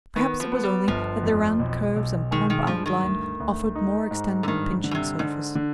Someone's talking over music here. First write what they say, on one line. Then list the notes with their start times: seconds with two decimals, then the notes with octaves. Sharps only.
Perhaps it was only that the round curves and plump outline offered more extended pinching surface.
0.16 D#3 B3
0.40 F3
0.52 B3
0.63 G3
0.88 G1 F3
1.23 F2
1.60 B1
1.96 B1
2.31 D#3 G#3
2.50 D#3
2.67 G2 F3
2.86 D#3
3.03 D2
3.40 D2
3.75 D#4
4.11 G#2
4.43 D3
4.47 G2 D#3
4.84 D3
4.91 B2
4.95 C3
5.19 G#2 D3
5.55 D3